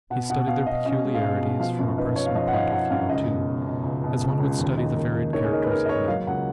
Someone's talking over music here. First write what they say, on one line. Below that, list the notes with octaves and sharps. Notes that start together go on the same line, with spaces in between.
He studied their peculiarities from a personal point of view, too, as one would study the varied characters of men.
B2 F#5
B2 F#5
B2 F5
B2 D#5
C#4 D#5
G#3
F5
B2 D#5
B2
F3 F5
F#2
D#4 B4
D#4 C#5
F5
F3 D#5
F#5
D#4 F5
D#4 F#5
F#2 F5
C#2 D#5
B2
B2
B2
C#2
B2
C#2
C#2
D#2
D#4
A#3
D#2
D#3 C#5
G#4
D#4 A#4
B4
D#3 A#4
D#5
A#3 C#5
F#3 F5
C#2 F#5